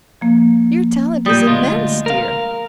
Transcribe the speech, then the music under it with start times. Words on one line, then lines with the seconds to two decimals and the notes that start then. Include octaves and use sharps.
"Your talent is immense, dear!"
0.21 F3 A#3
1.26 A#2 G3 D#6 G6
1.47 D2 G#3 F4
2.06 A#4 F5